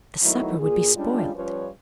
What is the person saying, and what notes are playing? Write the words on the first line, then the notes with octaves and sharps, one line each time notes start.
The supper would be spoilt.
D#3 F#3 A3 B3 D#4 E4
A#2 G#4
G3 G#3 C#4 D4 F4
F3 G3 C#4 F4 B4 C#5